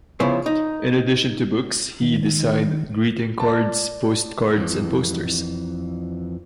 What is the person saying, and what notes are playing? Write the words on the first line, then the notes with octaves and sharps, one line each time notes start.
In addition to books, he designed greeting cards, post cards, and posters.
C#3 F3 B3 E4 C5
D#4
D#3
D5 A5
F2 E3